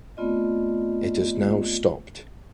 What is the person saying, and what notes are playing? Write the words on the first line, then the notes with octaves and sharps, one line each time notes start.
It has now stopped.
A3 B3 C4 F4 D5 D#5